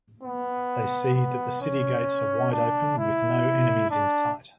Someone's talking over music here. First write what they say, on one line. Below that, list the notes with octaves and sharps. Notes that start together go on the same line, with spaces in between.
They see that the city gates are wide open with no enemies in sight.
B3
B3
C#4
D4
E4
D4